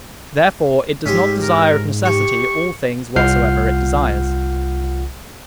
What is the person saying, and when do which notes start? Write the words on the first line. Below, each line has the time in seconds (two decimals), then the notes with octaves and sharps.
Therefore it does not desire of necessity all things whatsoever it desires.
1.06 G#2 C#4 G4 E5 C6
1.41 A#4
2.05 G4 C#6
3.16 C2 F4 F#5 F6 G6 C7